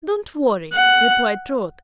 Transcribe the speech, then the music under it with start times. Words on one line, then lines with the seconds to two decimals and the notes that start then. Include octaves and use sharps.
"Don't worry," replied Trot.
0.73 F#5